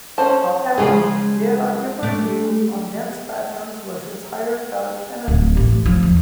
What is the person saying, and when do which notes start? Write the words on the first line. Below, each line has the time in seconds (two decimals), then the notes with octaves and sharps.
However, there are different views on dense patterns versus higher pellet energies.
0.18 C#4 C5 A5
0.78 C#3 F3 G#3 F4 G#4
2.03 A3 D4
5.28 D1
5.57 A1
5.85 F3
6.03 E2